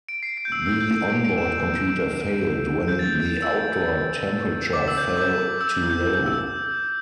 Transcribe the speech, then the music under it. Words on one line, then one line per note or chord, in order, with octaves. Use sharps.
The on-board computer failed when the outdoor temperature fell too low.
D7
C7
C7
G6
E6
E6
G6
D7
D7
E7
D7
G6
A6
E6
D6
E6
G6
E6
D6
E6
E6
G6
E6